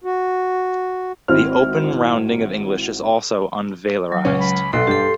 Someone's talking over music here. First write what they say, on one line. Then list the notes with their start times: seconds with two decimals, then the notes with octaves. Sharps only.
The open rounding of English is also unvelarized.
0.04 F#4
1.28 G#1 C4 E4 F#4 C5 F6
4.12 F#3
4.25 C#2 C#4
4.41 B5
4.73 B1 A4 C6
4.87 G2 G4 A4